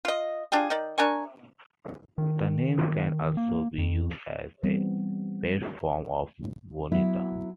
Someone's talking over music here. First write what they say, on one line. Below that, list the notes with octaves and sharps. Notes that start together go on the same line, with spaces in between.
The name can also be used as a pet form of Bonita.
F4 D#5
D4 F4 G4 G#4
D#3 D#4 D5
D4 A#4 G#5 C#6
D#3
A#3
F2
E3 G3 B3 C4
F#3 B3 E4